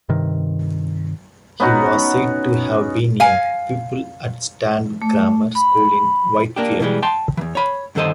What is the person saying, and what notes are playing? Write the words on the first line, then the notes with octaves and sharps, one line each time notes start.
He was said to have been a pupil at Stand Grammar School in Whitefield.
G2 C3 D#3
B3 C#4 D#4 F#4
F5 G#5
A3
B5
A#3 D4 G4
B2 E3 F3 G3 G#3
G5 A5 C6
E2 E3
C#5 B5
G2 D3 D#3 A4 C5 D#5